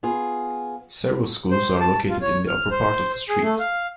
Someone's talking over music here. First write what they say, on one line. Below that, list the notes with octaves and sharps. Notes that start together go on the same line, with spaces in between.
Several schools are located in the upper part of the street.
B3 F4 G#4
C5
A5
F4
C#5
F6
C5
G#4
A3
F5